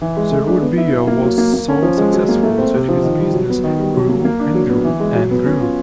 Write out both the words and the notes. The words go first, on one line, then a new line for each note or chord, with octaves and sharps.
The root beer was so successful, that his business grew, and grew, and grew!
E3
G#3
A3
D4
B3
E4
F#3
A#3
F#3
A#3
A#3
C#4
F3
G#3
F#3
A#3
A3
C4
C3
F3
D#3
G3
F#3
B3
D#3
G3
F#3
A#3
A#3
D4
F#3
B3
E3
G#3
F#3
B3
C#4
F4